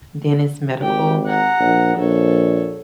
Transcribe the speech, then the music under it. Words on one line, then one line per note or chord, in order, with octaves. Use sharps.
Dennis Medical,
G#1 G4 G5
F#5 A#5
A#1
A#1 A4 C#5